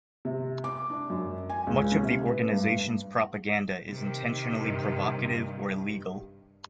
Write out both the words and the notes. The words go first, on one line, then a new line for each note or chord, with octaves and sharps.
Much of the organisation's propaganda is intentionally provocative or illegal.
C3
D6
D4
F#2
G#5
C#2
C#4
C3
B4
G2
C3 D#3
G2